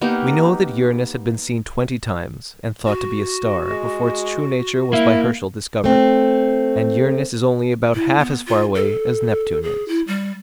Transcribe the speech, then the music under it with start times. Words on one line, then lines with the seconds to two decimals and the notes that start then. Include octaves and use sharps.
We know that Uranus had been seen twenty times, and thought to be a star, before its true nature was by Herschel discovered; and Uranus is only about half as far away as Neptune is.
0.01 A#3 B3 D#4 G4
2.87 F#4
3.70 G#3
4.93 A#3 E4
5.84 A3 C4
7.94 E4
8.19 B3
8.47 F4
8.75 A4
9.63 G#4
9.88 E4
10.07 G3